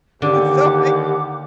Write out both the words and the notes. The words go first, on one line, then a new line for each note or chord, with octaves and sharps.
so I
D#2 D3 G4 F#5 D6